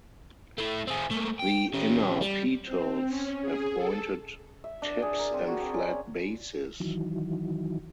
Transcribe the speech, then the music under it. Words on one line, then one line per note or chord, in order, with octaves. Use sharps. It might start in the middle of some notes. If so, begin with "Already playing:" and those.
The inner petals have pointed tips and flat bases.
A3 E4
C4 G#4
A3 A#3
G5
C#4 G4
G3
C4
C#4
G#4
A4
E5
D4
G#4
A#4
C4
F#4
G5
C#4
D#3 E3 F#3